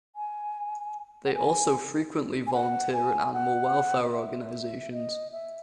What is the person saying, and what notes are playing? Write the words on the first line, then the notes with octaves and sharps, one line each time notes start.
They also frequently volunteer at animal welfare organizations.
G#5
F#5
G#5
G#5
F#5
G#5
F#5
D#5
E5
D#5
E5